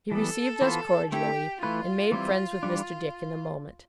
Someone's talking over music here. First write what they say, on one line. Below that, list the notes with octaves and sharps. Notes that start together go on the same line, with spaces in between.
He received us cordially, and made friends with Mr. Dick in a moment.
E3 G3 B3 A4
E3 B3 F4 C5
A3 C4 E4 G4 A4
E3 A3 E4 F4 B4
E3 G3 C4 E4
E3 G3 D4